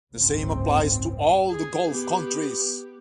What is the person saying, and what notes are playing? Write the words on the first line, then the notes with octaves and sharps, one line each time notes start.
The same applies to all the Gulf countries.
F#1 C#2 G#2 C#3 C4
G#4
B3 G4